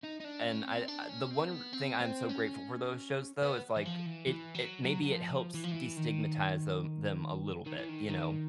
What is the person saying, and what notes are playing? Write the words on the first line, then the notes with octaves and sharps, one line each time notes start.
and I the one thing I'm so grateful for those shows though, is like, it it maybe it helps destigmatize the them a little bit, you know?
D#4
D#4
D4
C#4
C4
D4
C#4
C4
B3
C4
C4
C#4
B3
E3
F3
E3
E3
F#3
F#3
F#3
F3
E3
F3
E3
D#3
D#3
E3
D#3
D#3